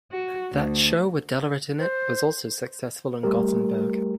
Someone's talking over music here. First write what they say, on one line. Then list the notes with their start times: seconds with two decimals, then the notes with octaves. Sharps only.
That show with Dellert in it was also successful in Gothenburg.
0.12 F#4
0.53 D2
1.79 C5
3.23 G3 A3 G4 A#4